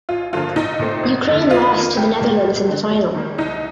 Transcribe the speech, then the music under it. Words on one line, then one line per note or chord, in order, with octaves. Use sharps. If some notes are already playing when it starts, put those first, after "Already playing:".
Ukraine lost to the Netherlands in the final.
A1 F4
G2 D3 F3 A#3 F4
A#1 D#4
A#2 A3 C4
G1
F2 D3
F2 F4
D#3 A#3
C2 G4
A#2 G3 A#3
G1
G2 D3
D#2
D#3 G3 A#3
C2 D#4